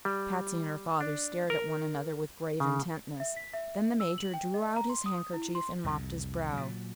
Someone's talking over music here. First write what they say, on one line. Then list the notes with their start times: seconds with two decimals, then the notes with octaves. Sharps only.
Patsy and her father stared at one another with grave intentness. Then the Major drew out his handkerchief and mopped his brow.
0.05 G3
1.01 D4
1.50 A#4
2.60 C#3
3.20 E5
3.37 B6
3.54 E5
4.00 E6
4.18 F#7
4.34 G5
4.54 D#5
4.76 A#5
4.90 C6
5.06 D#6
5.33 E4
5.55 C6
5.84 C2 F2
6.54 A#2 F#3